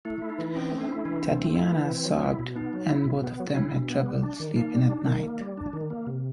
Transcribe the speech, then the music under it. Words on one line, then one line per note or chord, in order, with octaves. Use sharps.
Tatiana sobbed and both of them had trouble sleeping that night.
A3 E4
E4
D#4
E3
C4 C#4
A3
D4
E4
E3 D4
C4
A3
E4
E3
C4
F#3
E4
B2
B3 D#4
F#3
E4
B2
B3
F#3
D4 E4
B2
B3
G3
D4
D#3
A#3 D#4
G3
D4
D#3
A#3
G3
D4
D#3
A#3
C3